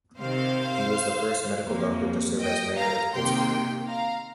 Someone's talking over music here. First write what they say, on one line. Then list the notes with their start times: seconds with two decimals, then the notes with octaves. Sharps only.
He was the first Medical Doctor to serve as mayor of Pittsburgh.
0.19 C3 D#3 C4 C5 F5
1.66 F2 F3 A#3
2.40 D#5 G5
2.77 F5 A#5
3.14 C3 D#3 A#3 G5 C6
3.88 F5 A#5